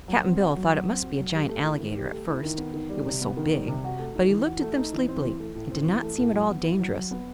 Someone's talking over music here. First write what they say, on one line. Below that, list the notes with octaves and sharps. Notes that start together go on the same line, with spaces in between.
Cap'n Bill thought it must be a giant alligator, at first, it was so big; but he looked at them sleepily and did not seem at all dangerous.
F#3
C4
F#4
F#3
F#3
C4
F#4
F#3
G4
A3
E4
D#3
G4
A3
E4
D#3
B3
D#3
G3
C3
B3
D#3
G3
C3
F#4
A3
D#4
E3
F#4
A3
D#4
E3
C4
E3
A3
A2
C4
E3
A3
A2
F#3
B3
E4
F#3
F#3
B3